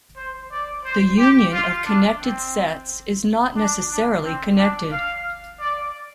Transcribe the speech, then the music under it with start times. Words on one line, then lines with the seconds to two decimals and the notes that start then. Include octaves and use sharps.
The union of connected sets is not necessarily connected.
0.17 C5
0.51 D5
0.85 C5
1.19 G4
1.53 F4
1.86 D4
2.20 C4
3.56 D4
3.90 D4
4.24 C4
4.57 D4
4.92 F5
5.60 D5